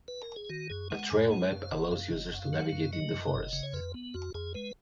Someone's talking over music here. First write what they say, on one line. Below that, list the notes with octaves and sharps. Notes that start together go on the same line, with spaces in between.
A trail map allows users to navigate in the forest.
B4
A#4
G#4
D#3 F#4
F#2 G#4
G#3 F#5
F#2 G#5
G#3 F#5
F#2 F5
F#1 F#5
D#5
F#2 F5
F#1 D#5
F#2 F#5
F5
F#3 F#5
F5
F#2
F#3 D#5
F#2
F#1
C#3
C#5
F2 B4
B3
F2 F#4
F2 G#4
G#3 B4